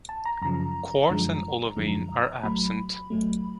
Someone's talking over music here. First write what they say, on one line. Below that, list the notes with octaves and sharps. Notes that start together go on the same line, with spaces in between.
Quartz and olivine are absent.
A5
A#5
F#2 C#3 F3 A#5
F#2 D3 F3 G#3
F#2 D3 F3 G#3
A1 A2 F#3 A3 B5
A1 A2 F#3 A3